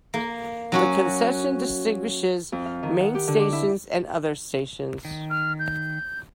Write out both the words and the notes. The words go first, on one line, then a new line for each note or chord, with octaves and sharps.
The concession distinguishes main stations and other stations.
A#3
F#3 C#4 F#4
F2
F5
D#3
F#5
G4
D3
D6
E4
D#3
F6
G6